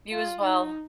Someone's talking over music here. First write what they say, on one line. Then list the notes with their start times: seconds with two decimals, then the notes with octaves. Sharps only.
You as well.
0.12 F4
0.43 D#4